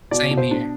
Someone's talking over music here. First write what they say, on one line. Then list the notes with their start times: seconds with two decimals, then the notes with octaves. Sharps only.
Same here.
0.11 B2 D5
0.31 B2
0.37 C5
0.51 D4